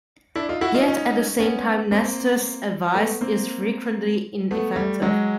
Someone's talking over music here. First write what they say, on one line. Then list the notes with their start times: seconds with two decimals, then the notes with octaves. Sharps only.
Yet at the same time Nestor's advice is frequently ineffective.
0.36 D4 E4
0.49 D#4 F4
0.61 E4 F#4
0.74 D#4 F4
0.88 C#4 D#4
1.39 B3 C#4
1.91 A#3 C4
2.94 A3 B3
3.21 A#3 C4
4.51 A3 B3
4.76 G3 A3
5.02 F#3 G#3